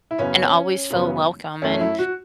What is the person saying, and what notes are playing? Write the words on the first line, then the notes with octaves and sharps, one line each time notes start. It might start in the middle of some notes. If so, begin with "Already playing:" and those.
and always feel welcome, and
E4
F#2 C#3 F#3 B3 C#4
F#2 C#3 F#3 B3
F#2 F#3 A3 C#4
C#4
E4
F#4